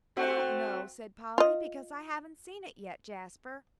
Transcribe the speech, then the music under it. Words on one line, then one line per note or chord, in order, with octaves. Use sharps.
"I don't know," said Polly, "because I haven't seen it yet, Jasper."
A3 C4 F#4
F4 D#5